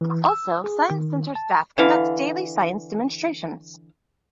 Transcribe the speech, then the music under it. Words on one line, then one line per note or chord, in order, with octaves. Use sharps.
Also, Science Center staff conduct daily science demonstrations.
E3
E6
G#4
D#3
A5
D3 E3 F5